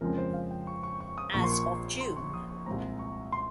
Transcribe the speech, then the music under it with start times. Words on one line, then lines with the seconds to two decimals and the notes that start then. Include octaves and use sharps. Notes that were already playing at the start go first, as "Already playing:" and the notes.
As of June.
0.01 F2 C#3 F3 G#3 C4 A#4
0.18 C5
0.33 F5
0.51 G5
0.67 C#6
0.83 C#6
1.00 C#6
1.18 D#6
1.34 A#1 A#2 F3 A#3 C#6
1.44 C6
1.53 C#6
2.01 C6
2.17 C#6
2.34 D#6
2.50 C#6
2.66 C2 A#2 G#3 C4 A#5
2.99 C#6
3.32 C6